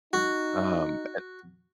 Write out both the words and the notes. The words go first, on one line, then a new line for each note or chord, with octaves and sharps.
Um, and
D#4 F#4